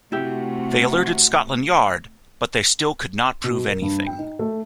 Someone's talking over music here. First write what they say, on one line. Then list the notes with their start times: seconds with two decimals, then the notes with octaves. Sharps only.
They alerted Scotland Yard, but they still could not prove anything.
0.12 C3 A3 E4 F#4 G4
3.44 B2
3.65 A#4
3.82 G2
4.06 G5
4.18 D#4
4.39 A3